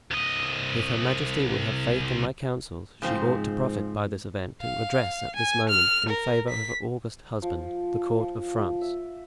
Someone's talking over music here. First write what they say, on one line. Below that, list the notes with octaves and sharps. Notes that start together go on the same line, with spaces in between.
If her majesty will have faith in my counsels she ought to profit by this event to address at this moment, in favor of her august husband, the court of France.
C2 D#5
G#2 C#3 F3 C4
F5
G#5
F6
A#4
B6
F3
F3
E5